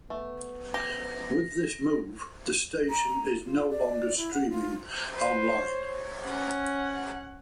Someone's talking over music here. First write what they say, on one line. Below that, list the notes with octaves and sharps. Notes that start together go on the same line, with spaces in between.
With this move, the station is no longer streaming online.
A3 B3
G4 A#6
A#5
F4
D5
E4
F#5
F4
B4 C5
C#5
C#4 F#5